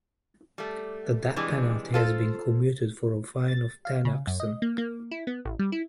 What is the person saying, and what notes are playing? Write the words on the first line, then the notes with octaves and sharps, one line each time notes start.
The death penalty has been commuted for a fine of ten oxen.
G3 A3
C3 E3 G3 G#3 D4
F4 A4 C5
A6
F5
C#3
F#2
D#5
A#3
A#3
E4
B3
A1
G3
E4